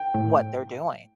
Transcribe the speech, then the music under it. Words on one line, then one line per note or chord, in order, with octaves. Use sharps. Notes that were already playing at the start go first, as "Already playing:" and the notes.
what they're doing.
Already playing: G5
A2